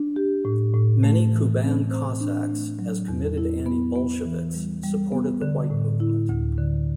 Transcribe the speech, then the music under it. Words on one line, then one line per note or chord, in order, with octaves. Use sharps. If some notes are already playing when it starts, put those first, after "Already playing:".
Many Kuban Cossacks, as committed anti-Bolsheviks, supported the White Movement.
Already playing: D4
G4
A2
A2
A3
E3
C4
C5
D4
A3
F#3
E2
E4
B3
B3
E3
G3
G3
B3
D3
A2
E4
D2
D3